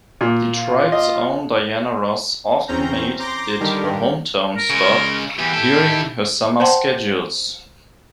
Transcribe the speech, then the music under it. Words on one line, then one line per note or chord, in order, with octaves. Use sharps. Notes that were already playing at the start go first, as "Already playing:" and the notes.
Detroit's own Diana Ross often made it her hometown stop during her summer schedules.
A#2
F4
D#5
E2 C4 C#4 A#5 G6
A#5 C6 D6 G6 A#6
D3 D#3 G3 G4 A#4
A#4
C#3 G#3
E2 E3 G4
E4 A4
C5 F#5 G5 A5 C6